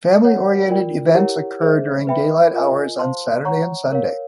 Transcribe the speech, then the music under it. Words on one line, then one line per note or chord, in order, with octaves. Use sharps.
Family-oriented events occur during daylight hours on Saturday and Sunday.
A#4 C#5 F#5
F4 A#4 D5 G5
E4 G4 A#4 C#5 F#5
G#4 C5 E5
B4 E5 G5 B5
F4 A#4 D#5 G#5
C5 F5 A5 C6
C#5 F#5 A#5 C#6
A#4 C#5 F5